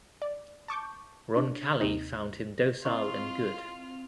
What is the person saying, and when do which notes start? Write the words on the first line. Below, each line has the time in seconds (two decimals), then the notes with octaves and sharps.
Roncalli found him "docile and good".
0.22 D5
0.68 A5 C#6 D6 G6
1.37 D4
1.81 D#2 C3 D#4
2.85 C4 E4 F4 D#5 C6 C#6 F6